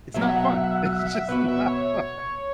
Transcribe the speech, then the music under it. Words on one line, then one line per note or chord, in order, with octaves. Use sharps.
it's not fun! It's just not fun.
B1 B2 F#3 E5
F#5
E5
F#5
E5
F#5
E5
F#5
E5
F#5
E5
F#5
E5
F#5
E5
B2 B3 F#4 B4
E5
C#5